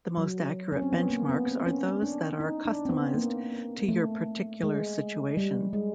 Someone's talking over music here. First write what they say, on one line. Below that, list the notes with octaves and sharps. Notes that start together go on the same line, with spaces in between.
The most accurate benchmarks are those that are customized to your particular situation.
F#3
C#4
C4
B3
A#3
B3
C4
C#4
D4
D#4
D4
C4
B3
A#3
A3
G#3
G3
G#3